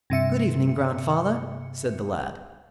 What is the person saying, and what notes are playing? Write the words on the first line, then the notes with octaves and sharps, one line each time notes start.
'Good evening, grandfather!' said the lad.
G2 C3 E5 C#7